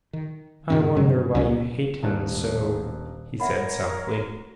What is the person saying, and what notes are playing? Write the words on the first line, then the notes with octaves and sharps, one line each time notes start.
"I wonder why you hate him so," he said softly.
D#3
G2 A#2 C#3 C#4
G2 F#3 G#3
C#2 C3 F#3 C#4
D#1 G2 A#4 F#6
A#4 C#5 E5 F#5 B5
F#4